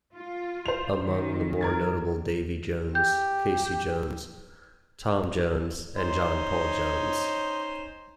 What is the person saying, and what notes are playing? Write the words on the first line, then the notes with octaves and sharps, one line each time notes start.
Among the more notable, Davy Jones, Casey Jones, Tom Jones, and John Paul Jones.
F4
C5 F7
D#3
A#4 G#6 A6
G4 G6
C#4 D#4 C5